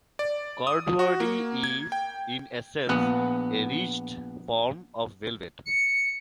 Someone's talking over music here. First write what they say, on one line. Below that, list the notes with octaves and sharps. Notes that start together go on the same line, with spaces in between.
Corduroy is, in essence, a ridged form of velvet.
D5
D#6
F#4
A#3
G#6
G5
A#1 B3 F#5
C#7